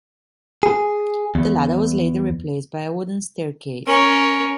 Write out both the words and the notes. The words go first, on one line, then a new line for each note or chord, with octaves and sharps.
The ladder was later replaced by a wooden staircase.
G#4
E2
C#4 A#4